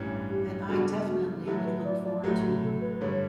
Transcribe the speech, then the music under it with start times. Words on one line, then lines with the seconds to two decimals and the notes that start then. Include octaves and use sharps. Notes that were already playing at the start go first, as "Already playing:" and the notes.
That I "definitely" would look forward to.
Already playing: A1 G2 E3 G3 C#4
0.29 G4
0.68 C#3 G3 B3 D4 F#4 A4
1.07 F#4
1.45 A2 F#3 A3 E4 G4 A4
1.65 B4
1.85 D5
2.04 D5
2.23 A1 A2 F#3 A3 G4
2.42 F#4
2.63 A4
2.81 B4
3.01 G2 D3 G3 C#5